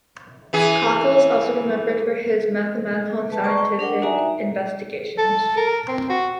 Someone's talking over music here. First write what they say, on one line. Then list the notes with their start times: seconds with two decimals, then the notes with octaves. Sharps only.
Cockle is also remembered for his mathematical and scientific investigations.
0.53 E3 G#4
3.30 B4 A5
3.44 C5 D5 A5 A#5 C#6
3.57 G5
3.79 D4 A#4 F#5 G5
4.02 D#4 F#4 D5 E5 G#5 A#5
5.18 A4
5.57 A#4
5.88 C4
6.09 F#4